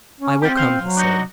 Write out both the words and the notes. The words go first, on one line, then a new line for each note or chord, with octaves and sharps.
"I will come," he said.
C#4
C4 F4 G4
C5 F5
F#3
D4 D#4 F#4